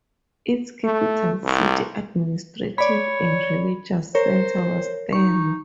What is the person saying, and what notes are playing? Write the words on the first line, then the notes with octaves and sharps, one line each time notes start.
Its capital city, administrative and religious center was Thermo.
A3
C2
C#5 D5 B5
A#4 C5 C#5
D#4 C#6